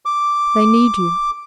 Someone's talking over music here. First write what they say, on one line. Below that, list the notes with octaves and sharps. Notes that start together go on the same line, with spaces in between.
They need you.
D6